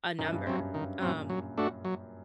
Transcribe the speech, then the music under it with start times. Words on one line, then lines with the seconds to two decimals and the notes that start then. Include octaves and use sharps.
a number. Um,
0.19 F#2 D#3
0.33 G2
0.47 F#2 F#3 C4
0.60 F#2
0.74 G2 D#3
1.02 A#2 F#3 C4
1.30 F#3
1.58 A3 D4 F#4
1.85 F#3